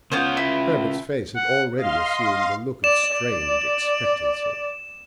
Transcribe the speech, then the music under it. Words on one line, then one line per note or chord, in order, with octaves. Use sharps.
Herbert's face had already assumed a look of strained expectancy.
C#3 B3 C#4 F4 C5
E4
F#5
D#5 F5 C6
D5 E7
D5